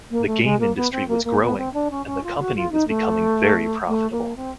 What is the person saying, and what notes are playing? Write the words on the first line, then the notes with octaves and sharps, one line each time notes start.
The game industry was growing, and the company was becoming very profitable.
A#3
A3
G#3
A#3
B3
C4
A#3
A#3
B3
C4
D4
C#4
C#4
F4
F#4
F4
D#4
A3
A3
A#3
C4